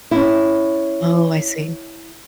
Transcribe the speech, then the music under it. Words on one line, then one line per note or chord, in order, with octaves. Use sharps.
Oh, I see.
C#4 E4